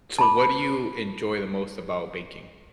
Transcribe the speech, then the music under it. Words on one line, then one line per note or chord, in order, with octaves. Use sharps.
So what do you enjoy the most about baking?
A5 B5 D6